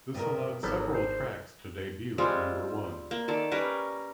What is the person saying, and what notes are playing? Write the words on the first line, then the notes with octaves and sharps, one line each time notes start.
This allowed several tracks to debut at number one.
G2 B2 A#4
G#1 F#3 G3 B3 A4
C5
G3 G#3 C4 F4
A#3
D#3 A4 D5
G3 C#4 A#4 B4